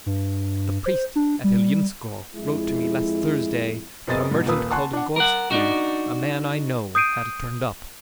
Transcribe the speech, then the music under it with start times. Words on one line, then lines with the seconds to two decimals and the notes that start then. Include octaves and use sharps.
The priest at Ilyinskoe wrote to me last Thursday that a merchant called Gorstkin, a man I know, had turned up.
0.06 G2
0.86 C5
1.16 D4
1.44 G3
2.35 F2 G#3 E4
4.07 F#2 B3 C4 G#4 D#5 A6
4.31 G#2 B2
4.46 D#1 A#2 A#3 B4 D#6 E6
4.71 F#5 G#5 A5 C6 C#6 F#6
4.93 D4 F#5
5.16 A#4 F#5
5.51 D4 D#4 F#4
6.95 D#6 G6 C7 D7 D#7